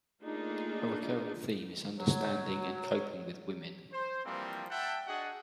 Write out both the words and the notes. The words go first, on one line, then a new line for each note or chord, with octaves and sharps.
A recurring theme is understanding and coping with women.
A3 A#3 D4 D#4 F4 G#4
F#3
C5
E3 F3 G3 A#3 C4
E5 F#5 G5 A5
D4 F#4 G#4 D#5 F#5